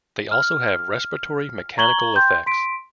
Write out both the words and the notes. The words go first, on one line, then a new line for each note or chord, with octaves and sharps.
They also have respiratory mechanical effects.
F6
A#5 C#6 G#6 F#7 G7
G5 C6 G6
C6 B6 D7